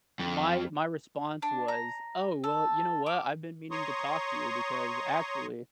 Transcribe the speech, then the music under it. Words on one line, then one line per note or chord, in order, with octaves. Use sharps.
my my response was, “Oh, well, you know what? I've been meaning to talk to you because, actually,
F2
D4
A#5
A4
D6
C#5 A#5 C6 C#6 D#6